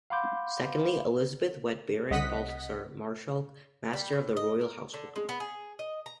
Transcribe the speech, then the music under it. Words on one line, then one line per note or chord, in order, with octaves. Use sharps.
Secondly, Elizabeth wed Baron Baltasar Marskalk, Master of the Royal Household.
F5 F#5 B5 C6 D6 G6
C2 D#5 F#5 B6
G3
A2
D#5
A#4
D3
G#3
B3
G#4
D#5
A#5